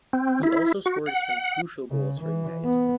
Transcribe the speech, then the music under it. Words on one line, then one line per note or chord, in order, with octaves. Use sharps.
He also scored some crucial goals for United.
C4
E4
F#4
F#5
C#3
E3
B3